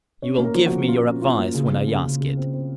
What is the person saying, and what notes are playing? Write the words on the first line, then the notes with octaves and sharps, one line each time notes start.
You will give me your advice when I ask it.
C#4 C#5
A#3
A#4
F3
F#4
C#4
F3 F4
C#4
C#4 F4
A#3
C#3
C4
C#3
C#3
C#3
C4
C4